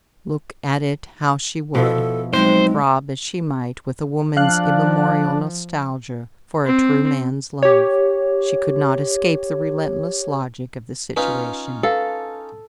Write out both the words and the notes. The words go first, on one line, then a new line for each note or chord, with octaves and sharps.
Look at it how she would, throb as she might with a woman's immemorial nostalgia for a true man's love, she could not escape the relentless logic of the situation.
B2 F3 E4 A4
F#3 G#3 C4 D#4 C5
F3 D4 D5 F5 F#6
C4
G4 C#5
C#4 D#4 F4 B4
A4 B4 F5